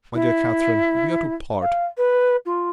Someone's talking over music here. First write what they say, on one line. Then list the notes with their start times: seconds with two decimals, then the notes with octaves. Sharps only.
My dear Catherine, we are to part.
0.14 E4
1.61 F5
1.97 B4
2.45 F4